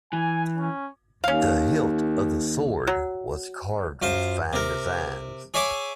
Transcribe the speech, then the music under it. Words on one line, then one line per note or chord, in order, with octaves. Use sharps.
The hilt of the sword was carved with fine designs.
E3 G#5
C#4
D#2 C#4 F5
F#3
F#2 F4 C5
C3 A#4
G#4 C#5 E5 G#5 D6